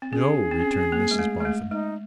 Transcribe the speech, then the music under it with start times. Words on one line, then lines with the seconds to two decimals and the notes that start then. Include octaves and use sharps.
'No,' returned Mrs Boffin.
0.02 C4
0.12 C#4 G#4
0.51 C4
0.60 C#4
0.71 C4
0.92 A#3
1.11 G#3
1.19 A3
1.41 G#3
1.45 A3
1.71 G#3 D#4